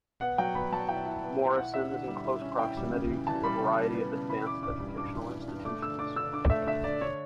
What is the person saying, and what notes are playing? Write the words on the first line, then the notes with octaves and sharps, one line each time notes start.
Morrison is in close proximity to a variety of advanced educational institutions.
B3 F#5
F#3 G5
B3 B5
F#3 A5
E4 G5
E4
B3
E4
E4 F#5
E4 E5
D3 F#5
G3
E4
C#4
E4 G5
G3
C#3
E3
E3 A5
G3 B5
C#3
G3
B3
C#3
E3 B5
E3 D6
G2 D6
G3
G2 D6
E3
G2
G2
A3 D6
D3 E6
D4 D6
D3 E6
D4 D6
A3 E5
D3 E5
D4 D5
D3 C#5